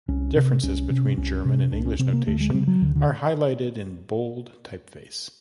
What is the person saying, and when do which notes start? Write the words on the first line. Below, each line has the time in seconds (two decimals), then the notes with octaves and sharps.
Differences between German and English notation are highlighted in bold typeface.
0.08 C2 C#4
0.36 C3
0.63 C2 C#4
0.90 C3
1.17 C2 C#4
1.45 C3
1.72 C2 D4
1.85 C#4
1.99 C3 C4
2.13 A#3
2.27 D2 A3
2.41 G#3
2.54 C#3 G3
2.67 F#3
2.81 D2 D3
2.95 D3